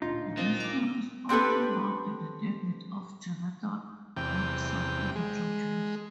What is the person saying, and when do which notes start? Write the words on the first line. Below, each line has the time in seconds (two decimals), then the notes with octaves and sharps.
This series also marked the debut of Jonathan Goodson as a producer.
0.02 D1 A#2 D4 D#4 F4
0.37 A#3 C4 F4 D#5 A5
0.60 A#5 D6
1.29 C4 D4 G4 A4 B4
4.17 E2 C3 G5
5.16 G#3